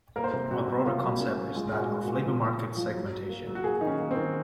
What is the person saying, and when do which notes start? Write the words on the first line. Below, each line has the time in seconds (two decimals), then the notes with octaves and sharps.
A broader concept is that of labor market segmentation.
0.16 A#3 A#4
0.24 C5
0.31 C3 A#4
0.51 C3 F#4
0.68 C3
0.85 A#3 F4
1.03 F#3
1.20 A#3 C#4
1.38 F#3
1.55 G#3 F4
1.69 A#2 G#4
1.78 F#4
1.90 G#3
2.02 F#4
2.07 A#2
2.25 F3
2.42 A#2
2.59 A#2
2.77 F3
2.95 F#3
3.12 F#3
3.29 A#3
3.47 F#3
3.55 F#4
3.64 A#3 G#4
3.81 D#3 D#4
3.87 C#4
3.99 A#3
4.11 C4
4.16 D#3